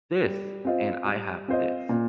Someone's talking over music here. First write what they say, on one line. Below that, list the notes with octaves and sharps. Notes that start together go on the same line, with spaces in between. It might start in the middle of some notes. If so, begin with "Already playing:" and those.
this, and I have this.
G3
C4 F4 C5 D#5
G3
C4 F4 C5 D#5
A#2